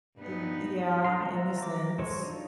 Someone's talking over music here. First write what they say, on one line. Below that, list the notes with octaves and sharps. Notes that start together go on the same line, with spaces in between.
th yeah, in a sense.
G2 B3 D#4
D4 F4 A4 A#5 C6
F4 C5 E5 F#5 A#5
A#5 D6
G#3 F#4 A4 C5 C#5
D4 D#4 F4